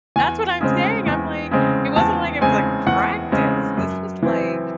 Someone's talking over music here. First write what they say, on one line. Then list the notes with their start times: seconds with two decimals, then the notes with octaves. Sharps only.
That's what I'm saying, I'm like, it wasn't like it was, like, practice, this was, like
0.16 E2 G#5
0.61 C#3 G#3 C4
1.06 E2
1.51 C#3 G#3 C4
1.96 E2 A5
2.41 C#3 G#3 C4 G#5
2.87 E2 F#5
3.32 C#3 G#3 C4
3.77 F#2
4.22 E3 C4